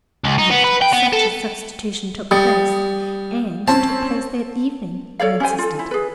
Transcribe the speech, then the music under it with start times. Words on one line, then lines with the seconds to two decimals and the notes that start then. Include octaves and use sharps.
"Yet such a substitution took place, and took place that evening," I insisted.
0.24 C#2
0.38 D#4
0.51 B3
0.64 B4
0.82 G5
0.93 B3
1.13 A4
2.31 G3 D#6 A6 C#7
3.68 C4 C#4 A5
5.19 A4 C#5 D5 F5
5.40 C#4 G4 C5 G#5
5.58 F4 A4
5.79 E4
5.91 G#4 B4